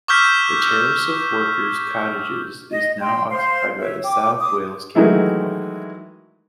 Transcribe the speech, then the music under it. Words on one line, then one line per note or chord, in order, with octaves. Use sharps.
The terrace of workers cottages is now occupied by the South Wales Caving Club.
C#6 D6 E6 F6 G6 B6
D#5
G5 C6
C5 F5 C6
C#5 E5
G5 D6
D6 D#6
D#3 E3 F#3 G#3 A3 E4